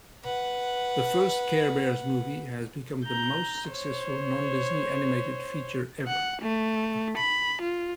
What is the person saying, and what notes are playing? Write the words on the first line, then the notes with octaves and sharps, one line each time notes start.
The first Care Bears movie has become the most successful non-Disney animated feature ever.
B4 F#5
A#5 G6
C5 C#5
F#5
A3
B5
F4